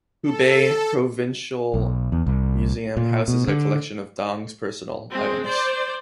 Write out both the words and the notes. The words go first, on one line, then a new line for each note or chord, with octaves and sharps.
Hubei Provincial museum houses a collection of Dong's personal items.
A4
B1
E2
C2
A#2
B2
D3
G#3 C4
C5 D5